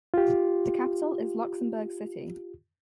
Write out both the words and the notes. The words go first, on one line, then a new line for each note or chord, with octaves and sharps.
The capital is Luxembourg City.
F4 G4